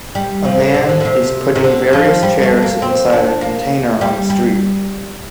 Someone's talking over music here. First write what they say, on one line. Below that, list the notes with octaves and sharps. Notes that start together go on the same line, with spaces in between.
A man is putting various chairs inside a container on the street.
G3
F3
D3
C3
D3
D3
C3
C3
D3
F3
G3
A3
A#3
C4
D4
A#3
G3
G3